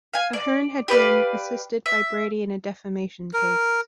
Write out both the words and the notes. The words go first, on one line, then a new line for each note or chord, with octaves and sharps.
Ahern had been assisted by Brady in a defamation case.
F5 G#5
D5
G4 B4 D5 F5
E5
A#4